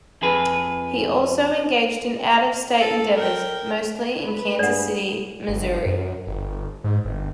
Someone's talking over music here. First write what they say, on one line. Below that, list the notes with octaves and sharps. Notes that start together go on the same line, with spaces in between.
He also engaged in out-of-state endeavors, mostly in Kansas City, Missouri.
F2 G#4 B4
A4
A#4 G5
B4
G2 G#4 D5 F#5
G1
F#2
G1
G#2
G1